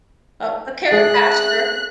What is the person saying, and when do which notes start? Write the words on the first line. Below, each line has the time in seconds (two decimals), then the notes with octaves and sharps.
Oh, a carrot pasture.
0.91 G#3 G#4 E5 F#6